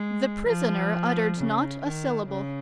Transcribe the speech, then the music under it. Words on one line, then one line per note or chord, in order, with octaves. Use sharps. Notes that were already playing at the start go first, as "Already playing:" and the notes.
The prisoner uttered not a syllable.
Already playing: G#3
F3
C#3
D#3
C#3